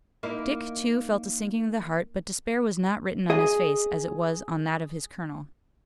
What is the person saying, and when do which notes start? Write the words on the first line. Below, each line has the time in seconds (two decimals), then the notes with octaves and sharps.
Dick, too, felt a sinking of the heart, but despair was not written on his face as it was on that of his colonel.
0.23 A#3 D#4 E4
3.30 G#4 D#5